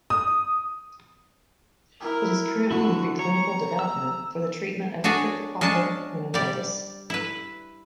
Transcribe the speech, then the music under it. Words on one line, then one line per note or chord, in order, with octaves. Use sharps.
It is currently in preclinical development for the treatment of cryptococcal meningitis.
D#6
E4 A#4
D3 E4 F#4
C#5 A#5
E6
D4 F#4 G#4 C#5 D5
G#3 C#4 D4 A5
G3 D5
E4 B4